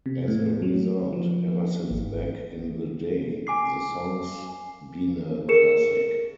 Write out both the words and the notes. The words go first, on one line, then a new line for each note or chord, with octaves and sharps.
As a result, ever since back in the day, the song's been a classic.
C3
A2
F#3
F3
G#1
G#5 D6 C7
G#4 A#4 C#7 E7